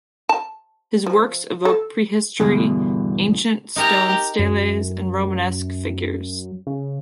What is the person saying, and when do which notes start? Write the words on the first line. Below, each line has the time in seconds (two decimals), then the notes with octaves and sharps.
His works evoke prehistory, ancient stone steles and romanesque figures.
0.29 A5
1.06 F3
1.65 A4
2.40 E2 G2 B2 D3
3.76 D#4 G4 A#4 G#5 A#5
4.39 F#2
6.67 C#3